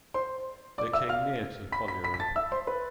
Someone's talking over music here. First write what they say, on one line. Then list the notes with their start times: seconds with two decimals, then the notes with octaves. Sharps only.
They came near to the colliery.
0.14 C5 C6
0.78 D5 D6
0.93 E5 E6
1.09 F5 F6
1.72 B5 B6
1.88 B5 B6
2.04 B5 B6
2.14 B6
2.20 A5 A6
2.36 E5 E6
2.52 C5 C6
2.67 B4 B5